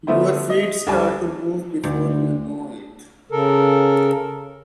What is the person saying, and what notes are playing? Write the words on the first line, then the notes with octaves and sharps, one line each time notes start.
Your feet start to move before you know it.
D3 G3 A3 B3 E4 C5
D#5
D2 G3 G#5
D2
C#3 A4 A#4